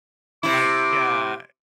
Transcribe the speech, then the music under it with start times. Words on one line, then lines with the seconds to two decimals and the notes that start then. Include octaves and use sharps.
like, uh,
0.43 C3 E4 D6